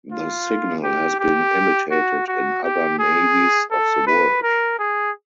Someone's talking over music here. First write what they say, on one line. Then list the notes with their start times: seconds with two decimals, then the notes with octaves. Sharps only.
The signal has been imitated in other navies of the world.
0.12 F4
0.84 G4
1.19 G4
1.91 F#4
2.28 F#4
2.63 G4
2.99 G#4
3.71 A4
4.07 B4
4.43 A#4
4.79 G#4